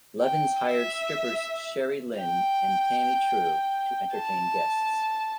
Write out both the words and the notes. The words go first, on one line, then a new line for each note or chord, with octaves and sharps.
Levens hired strippers Sherry Lynn and Tammi True to entertain guests.
G5
E5
G5
A5